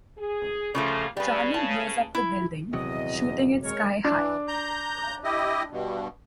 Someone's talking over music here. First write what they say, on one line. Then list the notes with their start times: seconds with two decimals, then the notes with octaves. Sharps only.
Charlie blows up the building, shooting it sky-high.
0.18 G#4
0.75 C#3 F3 G3 A3 A#3 F4
1.17 C#3 G3 B4
1.54 A5
2.15 E4
2.73 D#1 E2 C3 F#3 D#5
3.63 G#3 A#4 C#5
4.05 E3 D4
4.48 A#5 G6
5.24 E4 G4 D#5
5.71 G2 B2